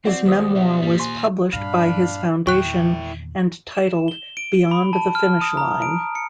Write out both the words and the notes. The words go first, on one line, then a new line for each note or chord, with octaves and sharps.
His memoir was published by his foundation and titled "Beyond the Finish Line".
C4 F#4 D5
D#2 G4 C5 D#6
B2 F#3 E5
G2 A#2 G3
D#2 G#5 C6
G2 A#2 D4 F5 B5
E2 A#2 D#3 E4 G5 C#6 F#6
E7
G7
D7
B5
A5
F6
D#6
A#5
D7
C#7